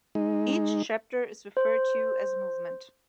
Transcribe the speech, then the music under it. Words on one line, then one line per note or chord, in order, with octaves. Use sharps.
Each chapter is referred to as a movement.
G#3 D#4
C5